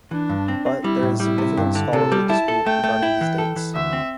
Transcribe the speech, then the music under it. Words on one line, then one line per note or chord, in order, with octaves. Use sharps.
But, there is significant scholarly dispute regarding these dates.
E3 D4
G2
C4
C4
G3 E4
A2
G3 E4
C3
G2
D3
C3 A4
G3
E4 A5
A4
A3 G5
A3
E4
E3
A4
E3
D2 E5
C4